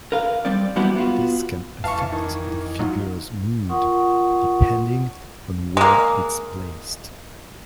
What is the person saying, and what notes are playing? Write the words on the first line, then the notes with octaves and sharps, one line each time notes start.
This can affect the figure's mood, depending on where it's placed.
A#4 B4 F5
G3 C4 D5
F3 G3 B3 E4 F#4 G4
B3 F4 F#4
F2 E3 F5 A5 C#6
D#3 E3
F#3 D#4 F4
F4 A#4 F#5 C6 C#6 D#6
G#3 A#3